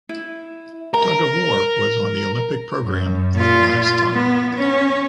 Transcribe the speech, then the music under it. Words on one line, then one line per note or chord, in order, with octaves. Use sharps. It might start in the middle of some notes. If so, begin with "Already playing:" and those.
Tug of war was on the Olympic program for the last time.
E4
A#4 A#5
F#2
A#2 F4
F4
B3
C#4